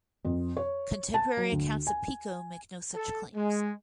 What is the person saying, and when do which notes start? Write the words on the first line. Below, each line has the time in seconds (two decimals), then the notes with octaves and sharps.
Contemporary accounts of Pico make no such claims.
0.25 F2
0.57 C#5
1.14 A5
1.37 F#3
1.52 D2
1.87 G#5
2.95 A4
3.35 G#3